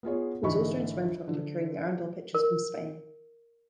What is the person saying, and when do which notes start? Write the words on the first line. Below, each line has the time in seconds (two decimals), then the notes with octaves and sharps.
He was also instrumental in procuring the Arundel pictures from Spain.
0.03 B3 F4 G#4 C#5
0.43 G#1 D3 E3 D#5 B5 C#6
1.28 D3
2.35 A#4